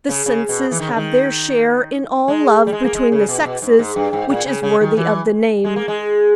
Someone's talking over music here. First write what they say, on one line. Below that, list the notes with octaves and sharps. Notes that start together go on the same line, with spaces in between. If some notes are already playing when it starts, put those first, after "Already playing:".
The senses have their share in all love between the sexes which is worthy of the name.
C#3
C#3
B2
E3
D#3
C#3
D#3
G#3
G3
G#3
A#3
G#3
C#3
B2
A#2
B2
G#2
G#2
G2
G#2
A#2
C#3
C#3
D#3
E3
G#3
A#3
G#3